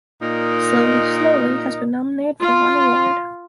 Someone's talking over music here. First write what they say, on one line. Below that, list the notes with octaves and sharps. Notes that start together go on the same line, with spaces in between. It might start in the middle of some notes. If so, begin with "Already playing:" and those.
Slowly Slowly has been nominated for one award.
A#2 D#4 A#4 D#5
F4